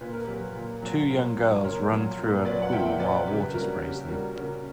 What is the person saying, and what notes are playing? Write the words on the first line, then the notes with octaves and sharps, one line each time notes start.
Two young girls run through a pool while water sprays them.
A#2 B4
A#4
F#3 G4 B4
A#2
F#3
A#2
F#3
A#2 A#4 C#5
F#3
A#2
F#3 B4 D5
F#5
A#2 E5 G5
F#3 B4 D5
C#3 G4 B4
B4
G3 F#4 A#4
C#3 G4
G3 F#4 A#4
C#3 F#4 A#4